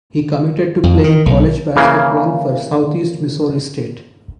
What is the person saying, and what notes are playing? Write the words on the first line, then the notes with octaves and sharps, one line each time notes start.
He committed to playing college basketball for Southeast Missouri State.
F2
D#3
B1
C#3 E3 A#3